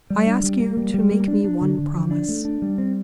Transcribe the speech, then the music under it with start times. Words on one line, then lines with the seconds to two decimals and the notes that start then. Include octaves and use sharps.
I ask you to make me one promise.
0.10 G3
0.26 D4
0.44 G3
0.60 A#3
0.77 G3
0.94 G3
1.11 A#3
1.28 D4
1.44 D4
1.61 D3
1.78 D3
1.94 F3
2.11 D4
2.29 A3
2.45 D4
2.62 G3
2.78 C4